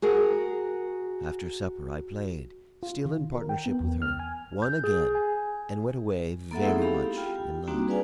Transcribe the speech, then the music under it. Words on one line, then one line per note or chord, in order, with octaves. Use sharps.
After supper I played, still in partnership with her, won again, and went away very much in love.
F#4 G#4 A#4
F4
D#3
A#4
G5
B3
E2
F6
G#5
G6
G#4
G#5
A#3 B3 A4 E5 F#5
G#3 C4 D#4 E4 G#4 A4
G4 F5 B5
F4 G4 G5
G3 A#3 C4 D4 D#4 F#4
G#4 B4 D5 F5 G#5